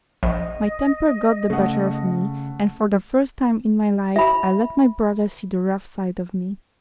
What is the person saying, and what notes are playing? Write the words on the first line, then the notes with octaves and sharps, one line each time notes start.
My temper got the better of me, and for the first time in my life I let my brother see the rough side of me.
A#1 D#5
C#3 A3 F#5
E5 B5